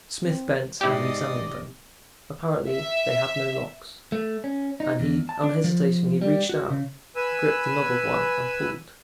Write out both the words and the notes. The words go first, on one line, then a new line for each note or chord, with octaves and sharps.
Smith bent and examined them; apparently they had no locks; and he unhesitatingly reached out, gripped the knob of one and pulled.
C4
G#2 C3 E4 G4 D5 D#5
E5
A3
C#4
D#4
E2
A5
D4
F3
G3
F#4
C#3
B4 G#5 E6